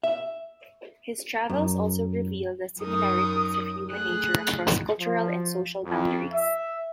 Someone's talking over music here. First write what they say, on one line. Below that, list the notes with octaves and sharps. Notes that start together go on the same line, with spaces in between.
His travels also reveal the similarities of human nature across cultural and social boundaries.
E5
F#2
F#2 D#4 A#4 D#6
A3 G#4 F#6
F3
F2
E5